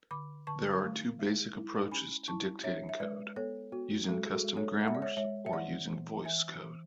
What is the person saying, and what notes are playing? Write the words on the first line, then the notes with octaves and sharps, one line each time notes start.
There are two basic approaches to dictating code: using custom grammars or using VoiceCode.
D3 B5 D6
D3 A5 C#6
A3
G#3
E4
C#4 G#5 B5
E4 A5 C#6
D4 C#5 E5
E5
G#3 B4 D5
B3 A4 C#5
B3 F#4
G#3 F#4 A4
G#4
F#4 A4
G#3
A4 C#5
G#3 F#5
E5
D5
C#5 E5
G#3 C#5 E5
E5
E3 D5 F#5
E3
E3 E5 G#5
E3